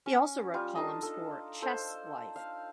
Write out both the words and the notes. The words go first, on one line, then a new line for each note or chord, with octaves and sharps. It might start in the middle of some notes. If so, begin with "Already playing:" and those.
He also wrote columns for "Chess Life".
C#4
G3 F4 C#6
D4 D#4 A4 D#5
A4
A4 C5
F5